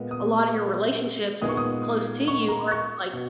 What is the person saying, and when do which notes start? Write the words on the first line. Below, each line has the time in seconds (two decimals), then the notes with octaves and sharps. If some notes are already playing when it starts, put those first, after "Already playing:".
a lotta your relationships close to you are, like,
Already playing: A#2 G#3 B3
0.11 D#6
1.42 A#2 G#3 B3 D#4 D#6
1.49 C#6
1.57 D#6
2.28 C#6
2.48 A#5
2.71 C#6
3.13 B2